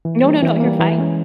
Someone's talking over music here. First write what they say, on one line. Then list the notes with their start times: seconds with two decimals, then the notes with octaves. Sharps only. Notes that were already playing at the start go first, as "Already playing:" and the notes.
No, no, no, you're fine.
0.05 E3
0.23 G3 A#3
0.43 E3
0.60 A#3
0.65 G3
0.80 E3
0.98 G#3 C#4